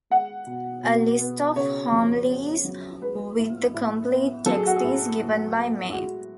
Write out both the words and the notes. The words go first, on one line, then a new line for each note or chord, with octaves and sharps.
A list of homilies with the complete text is given by Mai.
G#3 F#5
B2
B2
B3
C#3 C#5
F2
B3
F#3
G#3 B4
A2
A2
B3
F#3 A4
G#4
F#4
G#4
A2
A2
B3
G#3 F#4